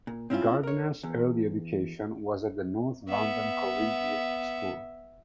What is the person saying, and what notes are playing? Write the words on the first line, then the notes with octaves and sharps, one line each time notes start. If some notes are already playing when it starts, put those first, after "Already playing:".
Gardner's early education was at the North London Collegiate School.
A#2
C4 C#4 E4 F4
A#4 C#5
E2
B3 E5